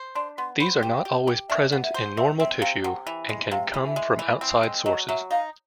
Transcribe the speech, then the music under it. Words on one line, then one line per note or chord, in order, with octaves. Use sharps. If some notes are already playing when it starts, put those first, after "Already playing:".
These are not always present in normal tissue and can come from outside sources.
Already playing: C5
D4 C6
B3 C6
C5 B5
G4 G5
G4
G4
D4 E5
B3
E5
C5
C4 E5
C4 E5
C3 F5
C3 F#5
E3
G#3
C3 F5
E3
E5
G#3
E3
C4
G#3
F#3 D#5
F#3 E5
D#4 F5